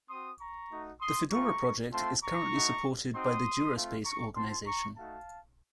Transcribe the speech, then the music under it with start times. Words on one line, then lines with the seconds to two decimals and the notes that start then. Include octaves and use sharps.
The Fedora Project is currently supported by the DuraSpace organization.
0.09 C4 F#4 C6 D#6
0.39 A#5 C#6
0.70 A3 D#4 F#4
1.00 C6 D#6
1.31 A3 C#4 F4 A#5 C#6
1.92 A3 C4 F4 A5 C6
2.22 A#5 C#6
2.53 A3 D#4 F#4
3.13 C4 D#4 F#4 C6 D#6
3.74 A3 C4 F4
4.05 A#5 C#6
4.35 C4 F4 A5 C6
4.65 A#5 C#6
4.96 A3 D#4 F#4 F5 A5